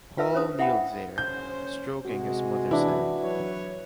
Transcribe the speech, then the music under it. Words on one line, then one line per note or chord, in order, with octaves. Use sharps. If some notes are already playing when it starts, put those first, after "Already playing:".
Paul kneeled there, stroking his mother’s hand.
F4 B4 E5 A5 E6
C#4 D4 C5 A5 D#6
E4 E5 F#5 G5 B5
F#1 C#4 C5 G6
C3 G#3 F#4
E3 D4 E4
F#3 B4 C#5